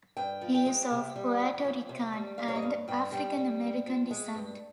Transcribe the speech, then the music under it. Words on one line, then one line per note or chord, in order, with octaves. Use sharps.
He is of Puerto Rican and African American descent.
G2 G5
F3
G5
G#3
C3
G3
F2
F2
C3
G3
G3 F5
C#5
D#5
G2 F5
G2 G5
G3 G5
G3
G2
F3
G#3
G2